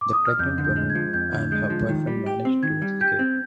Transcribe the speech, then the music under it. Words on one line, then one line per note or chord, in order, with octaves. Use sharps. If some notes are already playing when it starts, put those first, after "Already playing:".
The pregnant woman and her boyfriend managed to escape.
D6
D#6
F6
F2 G6
D3
G6
G#3
G#6
F3
F2 G6
D3
G#3 G6
F3
D#3
G3
G4
C4
D#3 G#6
G3
G4 G6
C4